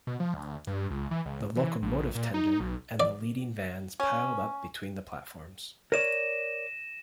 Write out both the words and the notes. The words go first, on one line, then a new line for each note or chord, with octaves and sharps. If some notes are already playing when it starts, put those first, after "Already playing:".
The locomotive tender and the leading vans piled up between the platforms.
B2
F3
D2
G2
C#2
E3
C#2
E3
A#1
A#2
D#4
B1
D5
C#4
A#4 C#5 D5 A#6 D#7 E7